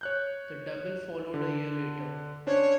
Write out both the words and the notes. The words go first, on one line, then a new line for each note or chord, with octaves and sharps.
The double followed a year later.
C#5 F#6 G6
D3
C#4 D4 C5 C#5